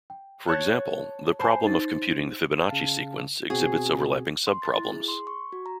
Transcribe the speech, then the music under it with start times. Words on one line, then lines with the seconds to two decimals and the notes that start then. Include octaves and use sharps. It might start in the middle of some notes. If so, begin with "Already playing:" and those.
For example, the problem of computing the Fibonacci sequence exhibits overlapping subproblems.
0.10 G5
0.48 C#5 A5 F#6
1.39 C5 G#5 A5 B5
1.65 D#4 A6
2.69 C#3 F5 A5
3.50 B2 C4 F#4 G#4
4.47 C6
4.62 A6
4.76 E4
4.93 G#4
5.08 C6
5.27 C#6
5.52 F#4
5.66 A#5